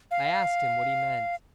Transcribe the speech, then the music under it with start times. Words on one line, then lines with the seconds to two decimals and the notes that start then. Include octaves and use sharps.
I asked him what he meant.
0.11 F5